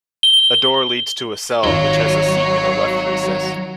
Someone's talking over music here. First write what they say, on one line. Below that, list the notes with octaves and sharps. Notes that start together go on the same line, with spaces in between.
A door leads to a cell, which has a seat in a left recess.
G7
G#1 F#3 F4 C#5 G7